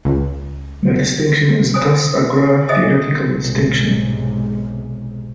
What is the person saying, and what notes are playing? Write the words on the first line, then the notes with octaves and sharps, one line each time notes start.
The distinction is thus a graph-theoretical distinction.
C#2
C5 G#5 D#6
G#4 C5 D#5 E5 G#5 D#6
B1 G#2 C3